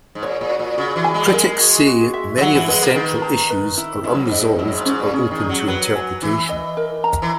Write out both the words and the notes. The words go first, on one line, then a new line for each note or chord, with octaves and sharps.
Critics say many of the central issues are unresolved or open to interpretation.
G#2
A#2 C#5
A#2
F#4
A#2
C#3 F#4
E3
G#5
G#3
A#3
G#3 A#4
F#4
F#4
E5
G#3
F#3 F#5
E3
G#3 B4
A#3
D#3 B4
A#5
B4
E4
G#2 E4
F#2
G#2
D#5
F#2 E4
G#2
G#2 C#4
A#2
C#3 C#4
D#3
G#4
F#3
F#3 B4
G#5
E3 E4
D#5
A#4
A#5
E3